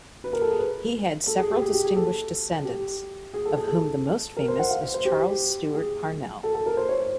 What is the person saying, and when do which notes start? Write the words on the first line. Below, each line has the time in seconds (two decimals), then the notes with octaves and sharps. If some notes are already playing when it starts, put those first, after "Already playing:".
He had several distinguished descendants of whom the most famous is Charles Stewart Parnell.
0.24 B4
0.33 A#4
0.41 A4
0.51 G#4
0.59 B4
1.27 A4
1.38 G#4
1.50 G4
1.62 G#4
1.73 G4
1.85 G#4
1.96 A4
2.65 G4
3.34 G#4
3.45 A4
3.57 G#4
3.68 A4
4.37 A#4
4.48 C5
4.59 F#5
4.71 F5
4.83 C5
4.94 C5
5.05 G4
5.74 G#4
6.43 A4
6.54 A4
6.66 A#4
6.77 C5
6.89 C#5
7.00 C5